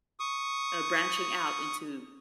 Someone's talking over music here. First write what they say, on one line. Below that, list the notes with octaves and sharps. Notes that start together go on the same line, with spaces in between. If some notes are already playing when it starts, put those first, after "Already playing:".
uh, branching out into
C#6 D#6